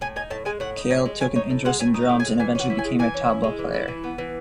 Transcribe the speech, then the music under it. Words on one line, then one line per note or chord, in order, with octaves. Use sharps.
Kale took an interest in drums and eventually became a tabla player.
A2 G#5
D#4 G#5
A2 A5
G#3 G#5
A2 F#5
D#4
A2 G#5
G#3
A2 G#5
D#4 C#5
A2
G#3 F#5
A2 G#5
D#4
A2
G#5
G#3
E3 G#5
C#4 F#5
E4
G#5
G#3
E3 G#5
C#4
E4
G#3
E3
E4
E3
B3
E3